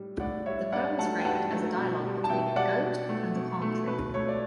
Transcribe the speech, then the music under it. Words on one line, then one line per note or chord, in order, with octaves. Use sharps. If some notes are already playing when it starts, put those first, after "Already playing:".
The poem is framed as a dialogue between a goat and a palm tree.
Already playing: A2 G3
A2 D5 F#5
G3 C#5 E5
G2 D5 F#5
F#3 A3 F#5 A5
G5
G2 F#5 A5
F#3 A3
B2
G3
A5
B2 E5 G5
G3 D5 F#5
B2
A3
B2
A3
B2 B4
A3 C#5
D5